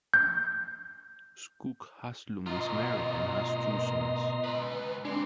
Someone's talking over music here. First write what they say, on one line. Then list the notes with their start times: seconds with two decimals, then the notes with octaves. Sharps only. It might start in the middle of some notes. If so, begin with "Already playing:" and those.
Skoog Haslum is married and has two sons.
0.14 G6
2.46 B2 F4 D#5 A#5 C6
4.44 C#2 B4
5.05 G#3 C4 D4